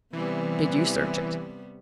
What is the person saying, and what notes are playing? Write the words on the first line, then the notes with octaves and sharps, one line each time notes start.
"Did you search it?"
C3 E3 G3 B3